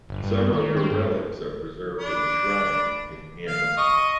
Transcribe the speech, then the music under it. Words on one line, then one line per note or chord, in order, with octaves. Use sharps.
Some of her relics are preserved in a shrine in Hanover.
G1
G2
D#3
C4
G2
D4 B5
F5
D#5 C#6 D#6